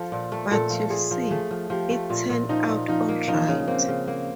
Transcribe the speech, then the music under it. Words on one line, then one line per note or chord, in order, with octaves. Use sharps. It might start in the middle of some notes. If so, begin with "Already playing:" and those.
But you’ll see, it’ll turn out all right.
Already playing: F3 A4
A#2
A3
A#2 A4
F3
A#2 G#4
F3
A3 G#4
F3
F3 G4
A3
A#2 F4
A#2
F3 D#4
A#2
F3 D#4
A#3
F3 D#4
C#3
A#3 C4
C#3
A#3